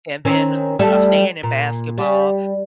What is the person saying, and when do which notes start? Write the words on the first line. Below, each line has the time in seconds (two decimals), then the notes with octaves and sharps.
and then, uh, you know, staying in basketball,
0.25 D#3 C4 C#4
0.79 G3 A3 A4
1.43 A#2
1.98 G3